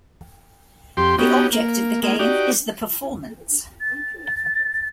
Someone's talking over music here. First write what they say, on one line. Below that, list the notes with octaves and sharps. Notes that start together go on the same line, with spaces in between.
The object of the game is the performance.
F2 G4 C6
B3 C#4 D#4 F#4 G4
A#3
G#3 A#3
D#4 F#4 G4 D5
A6